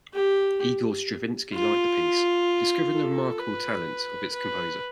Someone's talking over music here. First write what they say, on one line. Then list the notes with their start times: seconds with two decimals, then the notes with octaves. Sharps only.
Igor Stravinsky liked the piece, discovering the "remarkable talent" of its composer.
0.14 G4
1.53 F4
2.94 A4
3.39 B4
4.33 B4